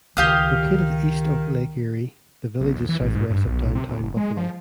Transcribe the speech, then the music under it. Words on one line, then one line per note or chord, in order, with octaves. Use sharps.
Located east of Lake Erie, the village is southwest of downtown Buffalo.
C#2 D#3 G4 F5 D#6
B1
D#2
E3
A1
G#2
G2
B1
C3
D2
F#1
G#3
F3